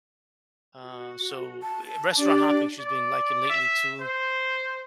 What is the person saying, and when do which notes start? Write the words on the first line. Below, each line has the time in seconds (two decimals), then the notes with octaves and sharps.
uh, so Eh, restaurant hopping, she's been liking lately too,
0.84 F#4
1.62 A5
2.18 D4 G4 D5
2.80 D5
3.50 E5
4.01 C5